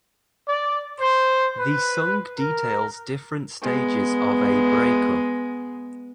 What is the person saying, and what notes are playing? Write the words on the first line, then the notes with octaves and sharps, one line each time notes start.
The song details different stages of a breakup.
D5
C5
B4
A#4
G#3 B3